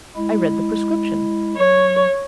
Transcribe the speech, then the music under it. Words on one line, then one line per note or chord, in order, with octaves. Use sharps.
I read the prescription.
G#3 E4
F#3 C#5